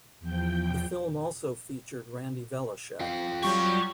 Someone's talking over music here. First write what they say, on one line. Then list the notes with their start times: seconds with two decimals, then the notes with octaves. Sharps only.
The film also featured Randy Velischek.
0.20 E2 F3 G5 G6
3.00 F4 F5 G5
3.42 F#3 G3 G4 C#6